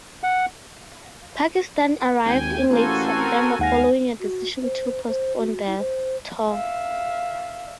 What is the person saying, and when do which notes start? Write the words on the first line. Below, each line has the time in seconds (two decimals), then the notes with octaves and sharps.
Pakistan arrived in late September following a decision to postpone their tour.
0.23 F#5
2.25 G#1 D#2 G5 G#5
2.70 A1 A#3 F#4 A4 C5 G#5
3.14 C4 A#4
3.59 D#2 G#2 F5 F#5 G#5 A#6
4.20 F#4
4.62 C5
5.08 C5
5.37 F#4
5.66 E4
5.79 C5
6.50 E5 F5